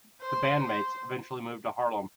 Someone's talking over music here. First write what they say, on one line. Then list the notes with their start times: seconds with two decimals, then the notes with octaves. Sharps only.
The bandmates eventually moved to Harlem.
0.20 C5
0.62 C5